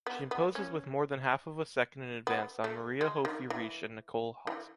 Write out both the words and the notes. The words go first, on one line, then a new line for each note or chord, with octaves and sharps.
She imposes with more than half of a second in advance on Maria Hofi-Riesch and Nicole Hosp.
B3
B3
C#4
B3
A3
G#3
D#3
E3
E3